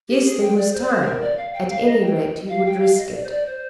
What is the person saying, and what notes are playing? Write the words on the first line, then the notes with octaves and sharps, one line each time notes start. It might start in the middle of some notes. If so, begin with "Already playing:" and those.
Yes, there was time; at any rate he would risk it.
G4
G#4
G5
D5
C5
D5
C5
A#4
D5
F5
G5
F5
D#5
G5
F5
G5
F5
D#5
D#5
D5
C5
D5
C5